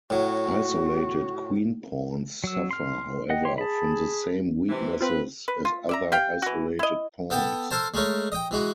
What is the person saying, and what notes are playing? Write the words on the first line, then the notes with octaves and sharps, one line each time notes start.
Isolated queen pawns suffer, however, from the same weaknesses as other isolated pawns.
A2 F#3 F#4
F#3 E6
C6 F6
D#5 F#5 G5
G4 C#5 C6
G#4 A5 B5
C3 E3
C4 F4 B4
B4
F4
D5 E5 A#5
G4 F5 G5
E3 F#4
E4 D#5
B3 A4 G5 A5
A4 A#4 C5 A5
G#3 A3 A#4 C#5
D#5 G5
E3 G#3 F#4